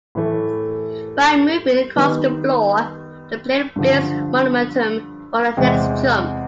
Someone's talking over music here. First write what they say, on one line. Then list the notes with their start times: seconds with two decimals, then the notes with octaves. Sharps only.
By moving across the floor, the player builds momentum for the next jump.
0.15 A2 E3 A3
1.96 D#3 G3 B3 D#4
3.76 G2 D3 F3
5.57 E2 C3 E3 G#3 C4